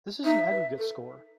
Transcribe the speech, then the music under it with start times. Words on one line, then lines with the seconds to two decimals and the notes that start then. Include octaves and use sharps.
This is an aggregate score.
0.24 D#4 E5
0.51 B4
0.79 A4